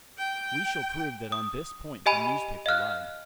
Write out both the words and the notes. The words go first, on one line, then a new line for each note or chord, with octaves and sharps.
We shall prove that on this point the newspaper lied.
G5
D#6
G4 D#5 G#5 B5 D#7
D#5 F5 F6 F#6